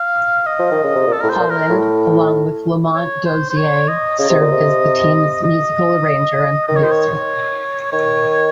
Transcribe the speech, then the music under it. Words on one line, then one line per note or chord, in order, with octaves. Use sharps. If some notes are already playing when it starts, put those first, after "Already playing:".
Holland, along with Lamont Dozier, served as the team's musical arranger and producer.
Already playing: F5
D#5
F3
D#3
C#3
C3
A#2
A4
A2 A#4
C5
A#2
A#4
A2
C#5
C5
C5
C#5
D#5
C#3 D#5
C3
A#2
C3
D#5
D#3 D#5
C#5
C5
C#5
D#3 C#5